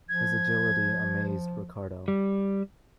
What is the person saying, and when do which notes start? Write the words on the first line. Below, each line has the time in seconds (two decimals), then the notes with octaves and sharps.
His agility amazed Ricardo.
0.09 F3 G#6
2.08 G3